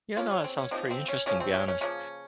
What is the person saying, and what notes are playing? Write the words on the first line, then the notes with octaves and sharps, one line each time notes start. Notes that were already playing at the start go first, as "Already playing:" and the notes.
Yeah, no, that sounds pretty interesting be honest.
C#3 F3 A#3 C#4 F4
C#4
C4
C#4
C#3 F3 A#3 C4 D#4
C4
C#4
C#3 F3 A#3 C#4
C4
C#4
C#4
C#3 F3 A#3 C#4